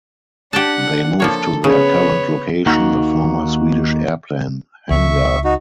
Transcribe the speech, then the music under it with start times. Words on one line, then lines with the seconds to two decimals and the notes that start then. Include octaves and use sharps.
They moved to their current location, a former Swedish airplane hangar.
0.53 D4 G4 F#5 G5 A5
1.20 F3 A#3 A4 C#5
1.64 C#3 B3 C#5
2.66 D#2 D#3 A#3 F#4
4.91 C#2 E5 C#6
5.44 D#4 F#4